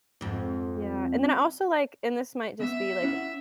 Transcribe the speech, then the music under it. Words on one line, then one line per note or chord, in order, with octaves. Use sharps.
Yeah. And then I also, like, and this might just be, like,
F2 G#2
B3 E5
C#4 E4 F#5